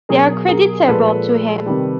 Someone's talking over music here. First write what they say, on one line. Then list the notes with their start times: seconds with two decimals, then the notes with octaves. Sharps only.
They are creditable to him.
0.09 B2 F#3 G#4 A#4
0.48 G#4 A#4
0.88 A#2 F3 G#3 A4 B4
1.66 C3 D#3 G3